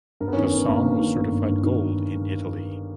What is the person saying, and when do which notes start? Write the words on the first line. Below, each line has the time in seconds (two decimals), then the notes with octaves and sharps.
The song was certified gold in Italy.
0.20 G2 A#4
0.28 B3
0.33 C#4
0.37 D#3
0.45 C#4
0.53 G1 B3
0.68 G1 A#3
0.85 G2
1.00 D#3
1.16 G1
1.31 G1
1.48 G2
1.64 D#3